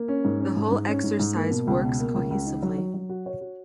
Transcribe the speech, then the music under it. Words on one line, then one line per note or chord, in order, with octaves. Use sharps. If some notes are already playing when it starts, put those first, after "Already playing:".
The whole exercise works cohesively.
Already playing: A#3
C#4
G#2
C#4
G#2
G#2
C#4
G#2
G#2
A#3
B2
C#2
B2
A#3
C#2
C#2
D#4
F#3
F#3
F#3
F#4
C#5
F#4